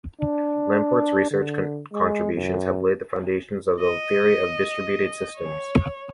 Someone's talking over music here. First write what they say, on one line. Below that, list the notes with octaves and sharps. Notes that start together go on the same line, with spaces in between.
Lamport's research contributions have laid the foundations of the theory of distributed systems.
D4
D3
G#3
F#2
D#5
C#5